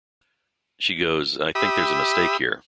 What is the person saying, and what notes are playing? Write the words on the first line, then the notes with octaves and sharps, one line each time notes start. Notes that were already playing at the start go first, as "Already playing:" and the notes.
She goes I think there's a mistake here.
G4 E5 B5 D#6